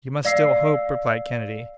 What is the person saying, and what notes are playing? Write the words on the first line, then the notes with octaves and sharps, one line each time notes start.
"You must still hope," replied Kennedy.
D5 F5 E6 C7